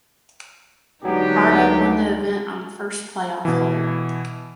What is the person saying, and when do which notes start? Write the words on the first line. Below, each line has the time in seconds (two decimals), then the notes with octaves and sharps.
Arda won the event on the first playoff hole.
1.05 D2 F#3 G#3 B3 D4 D#4 G4
3.45 B2 E3